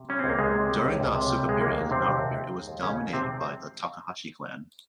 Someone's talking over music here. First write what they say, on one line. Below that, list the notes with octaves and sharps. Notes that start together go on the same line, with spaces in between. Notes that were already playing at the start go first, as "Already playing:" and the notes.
During the Asuka period and Nara period it was dominated by the Takahashi clan.
Already playing: C3
G3 C#4
C#2 C4
A#3
C#2 G#3
C3
G3
C#2
C#2
C3
G3
C#2 G#3
D#2 A#3
D#3
C3 G#3 C4
D#2
D#2
D#3
G#3
D#2
D#2 C#3 C#4
D#3
C3 G#3 C4